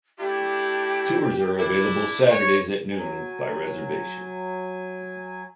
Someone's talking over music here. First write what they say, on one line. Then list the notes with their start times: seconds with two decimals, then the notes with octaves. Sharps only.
Tours are available Saturdays at noon by reservation.
0.19 A3 D4 E4 G4
1.58 D4 E4
2.31 C#5
2.93 F#3 G#5